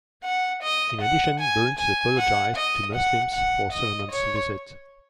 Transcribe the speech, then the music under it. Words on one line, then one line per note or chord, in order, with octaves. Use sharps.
In addition, Burns apologized to Muslims for Solomon's visit.
F#5
D#5
F#5
G#5
G#5
F#5
D#5
F#5
F#5
D#5
C#5